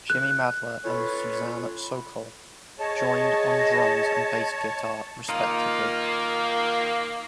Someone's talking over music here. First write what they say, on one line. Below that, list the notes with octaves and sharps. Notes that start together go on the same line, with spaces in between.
Jimmy Madla and Suzanne Sokol joined on drums and bass guitar respectively.
F#6
C#4 F4 A4 B4 C#5
G#4 C#5 D#5 A5
D#3 A#3 D#4 F4